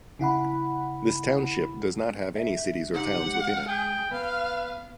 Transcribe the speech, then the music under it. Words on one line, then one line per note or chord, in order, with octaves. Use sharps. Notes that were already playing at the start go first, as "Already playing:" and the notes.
This township does not have any cities or towns within it.
C#3 E4 F#5 B5
E5
C#2 D#4 G4 C5 F#5
G#3
G#4 G5
B3 B4 F5